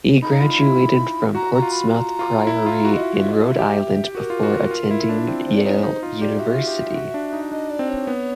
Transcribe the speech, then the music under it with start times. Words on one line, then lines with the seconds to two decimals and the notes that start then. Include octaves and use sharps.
He graduated from Portsmouth Priory in Rhode Island before attending Yale University.
0.22 D#4 B5
0.31 A#5
0.40 F4 B5
0.61 E4
1.35 F#4 A#5
1.54 A#5
1.62 F4
1.72 B5
1.91 A#5
2.19 F4
2.47 E4
2.66 F4
2.85 F#4
2.95 D#5
3.03 E5
3.17 E5
3.32 D#5
3.45 E5
3.59 G4
4.15 F#4 A#4
4.30 F4
4.43 F#4
4.57 F#4
4.71 F4
4.91 E4
5.09 D4
5.28 C4
5.47 C5
5.56 D5
5.65 D#4 C#5
5.83 D#4 C5
6.03 F4
6.21 G4 D5
6.39 F#4 E5
6.54 F4
6.67 G4
6.81 G4
6.95 F#4
7.14 D4
7.33 D#4
7.51 D4 D#5
7.70 D5
7.79 C4
7.89 C#5
8.07 B3